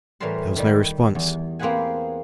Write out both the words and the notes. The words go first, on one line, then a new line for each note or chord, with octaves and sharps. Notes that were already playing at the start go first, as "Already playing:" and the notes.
There was no response.
A2 E3 G3 A#4 A5 C6
D#3 G3
E2
A#3 C4 G#4 B4 F#5 G#5